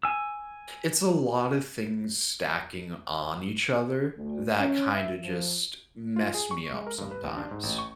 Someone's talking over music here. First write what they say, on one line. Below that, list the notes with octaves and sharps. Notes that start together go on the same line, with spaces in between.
it's a lot of things stacking on each other, that kinda just mess me up sometimes,
G#5 E6
D2
C#4
E5
F3
F4
G#4
C#6
G#3
A#4
G2
B4
D#2
D4
G#2
A1
C#6